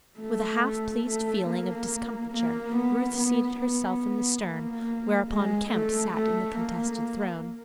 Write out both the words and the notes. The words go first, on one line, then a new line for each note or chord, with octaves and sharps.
With a half-pleased feeling of discomfiture Ruth seated herself in the stern, whereupon Kemp sat in the contested throne.
A3
A3
A#3
A#3
B3
B3
B3
A#3
G#3
A3
A3
A#3